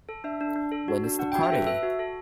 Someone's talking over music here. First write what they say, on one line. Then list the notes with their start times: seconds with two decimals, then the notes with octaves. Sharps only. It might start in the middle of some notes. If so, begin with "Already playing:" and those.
When is the party?
0.09 A4
0.24 D4 E5
0.41 D4
0.56 D4
0.72 A4
0.88 F#4
1.04 D4
1.19 D4 F#5
1.32 G5
1.36 F#4
1.43 E5
1.52 A4 B4
1.66 A4 E5
1.83 F#4
1.99 A4